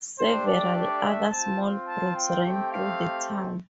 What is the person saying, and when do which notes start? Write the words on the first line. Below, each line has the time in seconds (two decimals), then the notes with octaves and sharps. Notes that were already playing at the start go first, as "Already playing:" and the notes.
Several other small brooks run through the town.
0.18 A3 D4 G4 C5
0.47 D5
0.74 D5
1.03 E5
1.30 C4 F4 A5
1.86 A5
2.15 G5
2.42 A3 C4 G4
2.71 F5